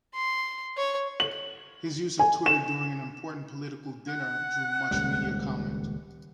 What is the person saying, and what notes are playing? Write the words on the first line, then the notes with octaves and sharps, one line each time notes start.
His use of Twitter during an important political dinner drew much media comment.
C6
C#5
F#7
G#5
E7
F#5
D#1 C#2 G3